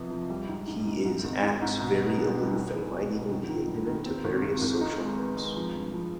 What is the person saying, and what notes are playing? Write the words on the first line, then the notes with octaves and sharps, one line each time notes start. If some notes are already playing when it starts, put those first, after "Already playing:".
He is acts very aloof and might even be ignorant to various social norms.
Already playing: F2 C3 F3 B3
F3
G3
G#2
G#2
G#2
G#2
G#1
G#2
G#2
B2
B3
B1
G3
B1
B3
B2
B2
D#3
D#3
G2
D#3
C4
G#1
G#1
G#1
D#4
G#3
B3
G#3
F3
G2
F3